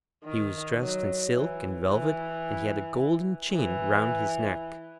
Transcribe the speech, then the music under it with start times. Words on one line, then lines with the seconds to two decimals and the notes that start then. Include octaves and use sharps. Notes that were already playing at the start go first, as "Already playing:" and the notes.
He was dressed in silk and velvet, and he had a golden chain round his neck.
0.24 D#3
0.79 F#3
1.33 E3
1.88 E3
3.52 E3